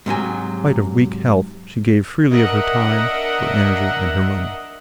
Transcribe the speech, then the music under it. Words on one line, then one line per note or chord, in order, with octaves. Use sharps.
In spite of weak health she gave freely of her time, her energy and her money.
G#2 C3 F#3 G#5
D4 A#4 D#5 E5 F#5